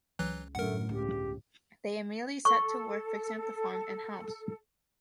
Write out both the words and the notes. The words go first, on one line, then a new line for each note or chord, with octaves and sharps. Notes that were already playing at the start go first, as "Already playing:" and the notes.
They immediately set to work fixing up the farm and house.
C#2 E3 F#3 F#6
G1 F#2 A2 D3 A3 A#4 F#5
C#2 G4
A4 C#6